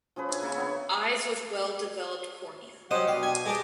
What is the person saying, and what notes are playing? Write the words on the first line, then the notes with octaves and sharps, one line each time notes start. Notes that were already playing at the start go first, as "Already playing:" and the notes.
Eyes with well developed cornea.
F3 C#4 G#4 B4
D4 E5 G#5
C#3 A#3 C#5 E5
B3 C#5
F#3 C#4 G4 C5 D#5 F#5
B2 D4 G4 F5 G5
G#5
G#3 D4 G4 D#5 G#5